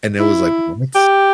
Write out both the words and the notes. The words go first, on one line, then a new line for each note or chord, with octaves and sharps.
And it was like, "What?"
E4
G4